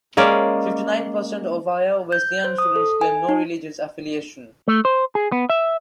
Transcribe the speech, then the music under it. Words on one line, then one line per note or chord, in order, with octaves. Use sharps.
Fifty-nine percent of Ohio Wesleyan students claim no religious affiliation.
G#3 A#3 C#4 D5
G6
C5
D#6
A4
G#5
D#4
A3
C5
G#4
B3
E5